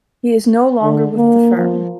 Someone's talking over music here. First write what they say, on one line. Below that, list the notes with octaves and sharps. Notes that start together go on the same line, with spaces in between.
He is no longer with the firm.
D3
A#3
F3